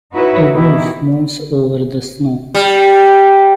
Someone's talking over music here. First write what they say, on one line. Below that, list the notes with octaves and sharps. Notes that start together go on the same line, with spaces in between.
A wolf moves over the snow.
D#4 E4 F#4 B4 C#5 E5
B2 D#3 E3 D#4 E4 G4
G3